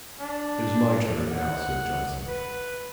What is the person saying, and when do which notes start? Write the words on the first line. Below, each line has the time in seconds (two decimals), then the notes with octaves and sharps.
"It is my turn now," said Johnson.
0.20 D4
1.31 F#5
2.28 B4